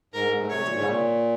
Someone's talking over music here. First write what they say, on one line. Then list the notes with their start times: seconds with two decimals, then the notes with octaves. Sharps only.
Where would you go?
0.13 G#2 A#4
0.26 G#2
0.38 G#2
0.50 C3 C#5
0.63 A#2
0.74 G#2
0.85 A#2